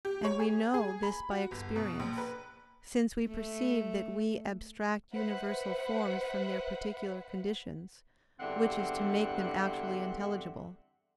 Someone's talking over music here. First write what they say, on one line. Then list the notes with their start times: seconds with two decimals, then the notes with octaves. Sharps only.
And we know this by experience, since we perceive that we abstract universal forms from their particular conditions, which is to make them actually intelligible.
0.05 G4
0.25 C#5
0.40 G#4
0.74 G#4
1.03 B5
1.31 F#4
1.51 G1
1.76 B2
2.00 A#1
2.18 B4
3.28 A3
5.13 B4 C5 E5 F#5 B5
8.40 E2 G2 D3 C4 E5 F#5